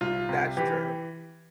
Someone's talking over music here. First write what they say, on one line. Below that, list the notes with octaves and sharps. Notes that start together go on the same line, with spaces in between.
that's true.
C2 F4
C3
E3 G4